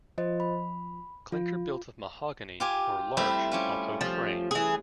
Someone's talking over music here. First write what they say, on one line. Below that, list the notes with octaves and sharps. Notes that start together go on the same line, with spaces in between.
Clinker built of mahogany or larch on oak frames.
F3 F4 C5 D#5
B5
F3 F4
F4 G4 G#5
G3 A3 C4 E4
G3 C#4 F4
F3
E3 G#4